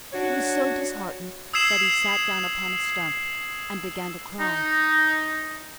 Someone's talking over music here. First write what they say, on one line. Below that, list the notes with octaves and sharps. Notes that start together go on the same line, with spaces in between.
He was so disheartened that he sat down upon a stump and began to cry.
D4 F#4 C#5
D#6 E6 G#6 C7 E7 F#7
D#4